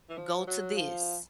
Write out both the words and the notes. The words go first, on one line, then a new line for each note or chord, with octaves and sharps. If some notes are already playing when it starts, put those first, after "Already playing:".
"Go to this,
E3
F3
F#3
F3